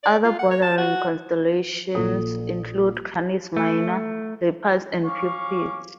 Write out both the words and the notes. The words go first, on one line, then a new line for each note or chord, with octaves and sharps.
Other bordering constellations include Canis Minor, Lepus and Puppis.
D5
F4
F#5
C#5
A5
F#4
A#1 A4 D#6
A3
C#4 F5 C#6 D6